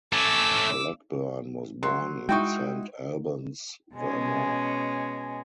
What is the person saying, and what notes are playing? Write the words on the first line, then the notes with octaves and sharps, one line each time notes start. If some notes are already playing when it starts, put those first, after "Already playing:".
Blackburn was born in Saint Albans, Vermont.
A3 C#4 D6 E6
F#3 C6
G#3 D#4 E4 F#4 G5 C#6
B2 G#3 C#4